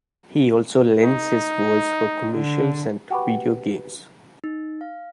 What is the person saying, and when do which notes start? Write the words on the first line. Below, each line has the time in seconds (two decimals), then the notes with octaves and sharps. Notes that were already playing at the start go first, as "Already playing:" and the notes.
He also lends his voice for commercials and video games.
1.03 D#4
2.29 D3
3.10 F#4 G4 B4
4.44 D#4
4.81 F5